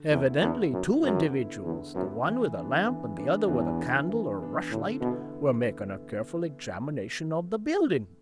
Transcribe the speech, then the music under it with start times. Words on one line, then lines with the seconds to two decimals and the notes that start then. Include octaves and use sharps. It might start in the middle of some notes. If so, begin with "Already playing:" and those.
Evidently two individuals, the one with a lamp and the other with a candle or rushlight, were making a careful examination of the building.
Already playing: D3
0.10 E2 B3
0.15 E4
0.41 E2 D3
0.72 F#2 B3 E4
1.03 F#2 D3
1.34 B3 E4
1.64 E2 D3
1.95 F#2 B3 E4
2.26 E3
2.56 B3 D4
2.86 E3
3.17 B3 D4
3.48 E2 E3
3.78 B3 D4
4.09 E3
4.40 B3 D4
4.70 A2 D3
5.01 B2 B3 E4